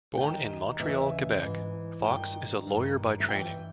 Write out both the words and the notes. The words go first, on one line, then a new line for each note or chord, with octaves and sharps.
Born in Montreal, Quebec, Fox is a lawyer by training.
D#2 D#3 G5
D#2 C#3 E3 E5
G#2 E3
G2 D#3 G5
G2 D#3
E5
G2 E3 G5